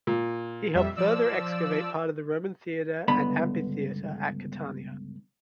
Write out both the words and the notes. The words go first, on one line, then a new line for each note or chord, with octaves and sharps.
He helped further excavate part of the Roman theater and amphitheater at Catania.
A#2
F2 G3 E5
F3 D5 E6
C#2 G2 D3 B3 B5